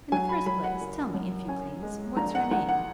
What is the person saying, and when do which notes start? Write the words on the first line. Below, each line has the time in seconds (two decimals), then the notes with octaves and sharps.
'In the first place, tell me, if you please, what's your name?'
0.12 F#3 G#5
0.29 B5
0.46 F#3 B5
0.64 F#5
0.81 F#1
1.14 F#2
1.48 C#4 G#5
1.83 G#3
2.17 A#1 A#5
2.35 F#5
2.51 A#1 F#5
2.69 F#5